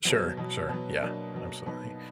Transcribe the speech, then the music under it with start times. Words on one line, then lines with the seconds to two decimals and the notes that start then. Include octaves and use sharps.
Sure, sure, yeah, absolutely.
0.05 B2 F#3 B3
0.37 B2 F#3
0.69 B2 F#3 B3
1.02 B2 F#3 A#3 D4
1.34 B2 F#3
1.66 B2 F#3 B3 D#4